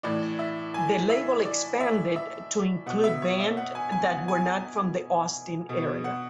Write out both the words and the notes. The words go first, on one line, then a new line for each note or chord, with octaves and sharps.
The label expanded to include band that were not from the Austin area.
A2 E3 D5
E5
G#5
E5
D5
E5
E5
B2 F#5
E5
C#5
E5
F#5
G#5
G#5
F#5
G#5
B2
F#5